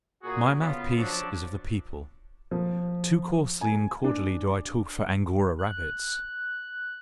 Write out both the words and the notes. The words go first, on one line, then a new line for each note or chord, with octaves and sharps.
My mouthpiece--is of the people: too coarsely and cordially do I talk for Angora rabbits.
A#2 F#4 G#4
C#3 B3 F4
F3 F#3 D4
F3
G#5
D4
F#6